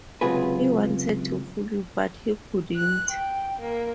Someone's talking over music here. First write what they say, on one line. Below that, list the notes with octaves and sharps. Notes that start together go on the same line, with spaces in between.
He wanted to fool you, but he couldn't.
C#2 F#2 C3 F4 G#4 B4
F#6
G5
A#3